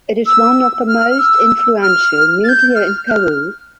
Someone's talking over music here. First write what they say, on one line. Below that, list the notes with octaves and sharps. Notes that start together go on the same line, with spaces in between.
It is one of the most influential media in Peru.
E6
F6
F6
E6
F6
A6
G6
F6
G6
F6